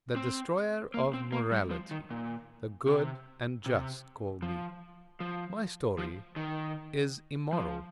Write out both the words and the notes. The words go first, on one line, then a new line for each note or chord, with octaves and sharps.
The destroyer of morality, the good and just call me: my story is immoral.
C4
A#3
C4
A#3
G3
F3
D#3
A#2
C3
C3
F3
F3
F3
D#3
F3